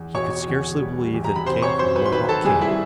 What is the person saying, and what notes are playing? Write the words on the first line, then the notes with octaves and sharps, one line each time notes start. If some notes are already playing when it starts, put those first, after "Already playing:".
He could scarcely believe that it came from the Mohawk camp.
Already playing: E2
B2 C#5 C#6
E2
G3
E2
A#5
B5
C3 C5 C6
C#5 C#6
F#3 C5 C6
B4 B5
C6
D#3 B4 B5
A4 A5
C2 G#4 G#5
E4 E5